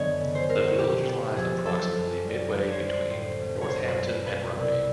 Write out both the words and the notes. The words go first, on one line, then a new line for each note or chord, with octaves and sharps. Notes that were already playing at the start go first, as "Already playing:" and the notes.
The village lies approximately midway between Northampton and Rugby.
Already playing: F#2 D3 D#3 B3 C#5 D#5
C#3
C5
A3 A#4
F#4
B2 G4
B3 G4
F2 G#4
F#3 A4
F#2
G3
D3
C5 C#5
D2
A2 C5
B1
C#5
F#2 C5
B4
G1
B4
B2 B4
C2